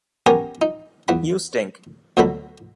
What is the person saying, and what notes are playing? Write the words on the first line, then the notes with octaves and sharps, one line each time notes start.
You stink.
B3 C#4 G4 A#4 G#5
D#4
E2 F#5 B5
D2 B2 D3 F#3 A4 B5